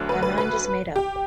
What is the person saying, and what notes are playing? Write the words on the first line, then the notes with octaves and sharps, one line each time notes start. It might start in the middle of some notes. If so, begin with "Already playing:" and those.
My mind is made up.
Already playing: D2 D3 F#3
B4
B4
B4
G4